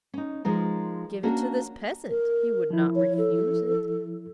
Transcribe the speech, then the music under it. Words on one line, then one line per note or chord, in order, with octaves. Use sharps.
"Give it to this peasant, he would not refuse it."
C#4 D#4
F3 G#3 D#4 A#4
A#3 C#4 D4 F#4
A#4
F3 E4
C#5
A4